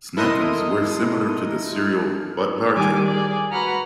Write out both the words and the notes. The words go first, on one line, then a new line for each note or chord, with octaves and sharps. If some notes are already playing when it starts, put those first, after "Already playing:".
Snack Ums were similar to the cereal but larger.
E4 A4 A#4 D#5 C6 D#6
D#3 G3 G4 G#5 D6
G#4 D5
F#4 B4 F#5 A#5 F6 F#6